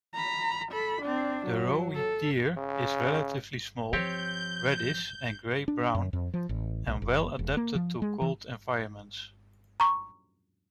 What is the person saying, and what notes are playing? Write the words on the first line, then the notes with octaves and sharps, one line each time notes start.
The roe deer is relatively small, reddish and grey-brown, and well-adapted to cold environments.
A#5 B5
A4 B5
C4 D4
F#3
A4
C#3
F3 C4 G4 C#5 G6
D4
F#2
F2
F3
A1
B1
F#1
E1
A#3
F3
G#3
E3
A#5 C#6